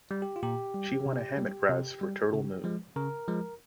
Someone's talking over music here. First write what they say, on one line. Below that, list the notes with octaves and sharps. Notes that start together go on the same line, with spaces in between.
She won a Hammett Prize for "Turtle Moon".
G3
G4
F4
A#2 G4
G3
C3
G3
C3
G3
C#3
F3 G#3
C#3 A#4
F3 G#3